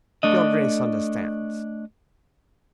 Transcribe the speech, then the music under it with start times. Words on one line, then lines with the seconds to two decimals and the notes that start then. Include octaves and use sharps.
"Your Grace understands."
0.23 A3 D4 D#5